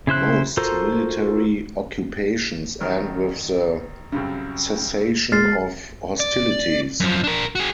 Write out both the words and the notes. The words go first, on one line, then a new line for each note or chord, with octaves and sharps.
Most military occupations end with the cessation of hostilities.
C#3 E4 C5 F#6
F4 F#4 A4 A#4 C5
A1 D#3 F6
C2 F#2 C#3
G#3 F6 A6 C7
D5
F#2 F3
D4 A#4
F#4 G#4